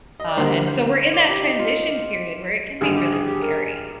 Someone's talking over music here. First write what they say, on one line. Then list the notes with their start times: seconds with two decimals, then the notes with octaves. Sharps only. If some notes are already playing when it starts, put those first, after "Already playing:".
uh, and so we're in that transition period where it can be really scary.
0.20 D#5
0.28 D5
0.37 D2 D3 G3 A#3 C5
0.68 C5
1.14 D5
1.28 G4
1.44 D#4
1.59 F4
2.81 G#1 G2 D3 G#4
2.96 G4
3.12 G#4
3.27 G4
3.42 A#4